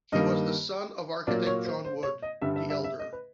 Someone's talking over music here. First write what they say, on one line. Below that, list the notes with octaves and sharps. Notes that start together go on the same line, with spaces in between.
He was the son of the architect John Wood, the Elder.
G2 D#3 G3 A#3 D#5
A#2 F#3 A#3 D5
C#5
C5
C5
C#5
D#5
G2 D3 G3 E5
E5
E5
E5
D#5
B4